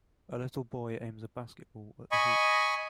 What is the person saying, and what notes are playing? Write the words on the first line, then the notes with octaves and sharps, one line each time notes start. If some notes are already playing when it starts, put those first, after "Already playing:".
A little boy aims a basketball at the hoop.
D#5 G#5 B5 C#6